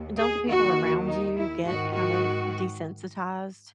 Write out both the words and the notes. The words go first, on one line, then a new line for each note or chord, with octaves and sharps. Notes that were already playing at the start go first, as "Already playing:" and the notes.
don't the people around you get kind of desensitized,
Already playing: D#2
G#4
D#2 D#3 F#4
D#4
E4
G#2 D#3 F#4
F#4